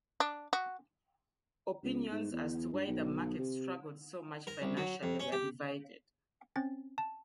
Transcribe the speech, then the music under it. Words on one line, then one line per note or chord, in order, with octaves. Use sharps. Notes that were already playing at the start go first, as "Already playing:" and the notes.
Opinions as to why the market struggled so much financially were divided.
D4
F#4
C#2
G#2
E2
G2
B1
C3
A#4
C2
F#3
F2
C#4
G4
C4 C#4 A6
A5